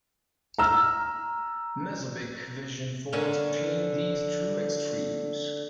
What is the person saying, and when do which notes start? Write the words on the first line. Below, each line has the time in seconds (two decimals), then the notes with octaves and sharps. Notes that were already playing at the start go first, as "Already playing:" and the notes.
Mesopic vision falls between these two extremes.
0.58 A#5 E6 F6
3.13 D3 C#4 A#4